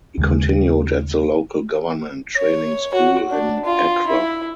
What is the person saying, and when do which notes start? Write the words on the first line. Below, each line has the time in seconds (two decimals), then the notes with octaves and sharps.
He continued at the Local Government Training School in Accra.
0.18 D#2 C#3 G#3
2.36 C#5
2.94 F#4
3.30 D4
3.65 F4
4.07 E4